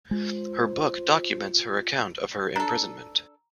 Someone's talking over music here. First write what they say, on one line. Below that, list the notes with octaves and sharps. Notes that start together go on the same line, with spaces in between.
Her book documents her account of her imprisonment.
G#3 F4 C5
D4 A4 A#5